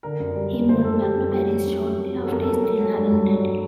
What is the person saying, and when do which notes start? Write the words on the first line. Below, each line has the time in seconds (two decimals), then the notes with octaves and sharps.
He moved back to Paris shortly after his tenure ended.
0.03 D3 A#4
0.20 F#2
0.36 G3
0.53 F#2
0.69 D3 C5
0.84 F#2 A4
1.01 G3 G4
1.17 F#2
1.34 F#3 G4
1.50 F#3
1.66 F#2
1.83 F#2
1.99 F#3
2.15 F#3
2.24 A4
2.30 F#2 A#4
2.42 A4
2.47 F#2
2.52 A#4
2.64 F#3 A4
2.80 F#3
2.96 G2
3.12 G2
3.29 F#3
3.45 F#3